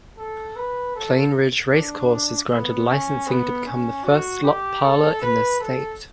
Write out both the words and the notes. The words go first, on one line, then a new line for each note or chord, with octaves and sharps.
Plainridge Racecourse is granted licensing to become the first slot parlor in the state.
A4
B4
A4
D4
B3
C#4
B3
C#4
F#4
G4
A4
B4
A4